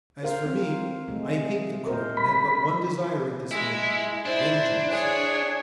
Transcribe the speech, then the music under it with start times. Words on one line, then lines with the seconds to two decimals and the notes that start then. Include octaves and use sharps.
As for me, I hate the court and have but one desire at this moment--vengeance.
0.23 A#4 C5 F5
0.45 C4
1.08 C3 G#3 A3
1.86 A#4 C5
2.17 G3 B5
3.51 G#3 E4
4.25 D4 E4 C5
4.90 G#4 C#5